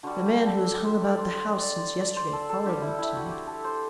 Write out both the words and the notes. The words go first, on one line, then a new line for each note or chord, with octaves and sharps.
"The man who has hung about the house since yesterday followed me to-night."
D3 G3 F#4
G4
A4
C5
D5
C5
C5
D5
C5
D5
C5
A4
A4
D3 G3 G4
E4
E4
F#4
G4
A4
C5